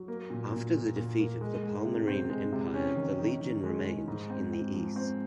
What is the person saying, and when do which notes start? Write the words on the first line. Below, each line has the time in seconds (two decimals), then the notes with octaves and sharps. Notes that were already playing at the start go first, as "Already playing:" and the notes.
After the defeat of the Palmyrene Empire the legion remained in the east.
Already playing: F#3
0.08 A#3
0.30 A#2
0.52 A#2
0.74 A#2
0.97 A#2
1.19 A#3
1.41 G#3
1.63 G#3
1.85 C3
2.08 C4
2.30 G#3
2.53 C3
2.74 C#4
2.96 D#3
3.19 D#3
3.41 D#3
3.63 G#3
3.85 G#3
4.08 G#2
4.30 C4
4.52 C4
4.74 F3
4.96 C4